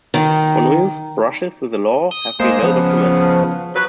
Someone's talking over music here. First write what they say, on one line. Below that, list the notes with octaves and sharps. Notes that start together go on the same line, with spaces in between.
Fonyo's brushes with the law have been well documented.
D#3
D#6
G#3 A#3 C5
C#3 F3 B3
F#3 B4